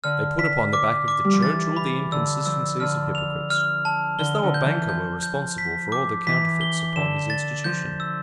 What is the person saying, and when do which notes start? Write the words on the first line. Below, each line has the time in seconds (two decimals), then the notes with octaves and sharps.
They put upon the back of the Church all the inconsistencies of hypocrites--as though a banker were responsible for all the counterfeits upon his institution!
0.04 D3 F6
0.39 B6
0.73 D6
1.08 D6
1.24 G3
1.33 F3
1.42 E3 A6
1.76 B5
2.12 D3 E6
2.46 F3 E6
2.80 D3 F6
3.15 F7
3.50 F6
3.85 A5
4.19 D3 G7
4.43 D3
4.54 G6
4.66 E3
4.88 F3 G6
5.23 G6
5.58 B6
5.92 D6
6.27 E3 B6
6.61 G7
6.96 D3 E7
7.30 A6
7.64 F3 G6
8.00 E6